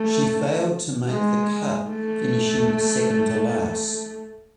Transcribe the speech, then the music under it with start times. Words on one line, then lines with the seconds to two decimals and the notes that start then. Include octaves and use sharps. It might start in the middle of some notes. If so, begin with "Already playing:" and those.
She failed to make the cut, finishing second to last.
Already playing: A3
1.10 G#3
1.90 A3